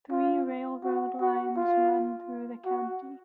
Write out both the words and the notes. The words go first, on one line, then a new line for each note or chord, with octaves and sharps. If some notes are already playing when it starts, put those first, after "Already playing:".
Three railroad lines run through the county.
F4
F#4
F#4
F4
F#4